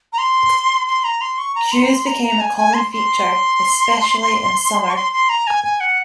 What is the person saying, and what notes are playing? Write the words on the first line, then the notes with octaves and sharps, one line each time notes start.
Queues became a common feature, especially in summer.
A#5
C6
C6
A#5
C6
C#6
A#5
C6
A#5
C6
A#5
A#5
G#5
G#5
C6
C6
C#6
C6
C6
A#5
G#5
G#5
F#5